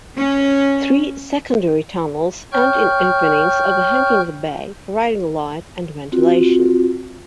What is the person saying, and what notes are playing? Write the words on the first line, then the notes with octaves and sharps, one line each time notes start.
Three secondary tunnels end in openings overhanging the bay, providing light and ventilation.
C#4
C#5 G5 C#6 F6 G6
C4 F4 F#4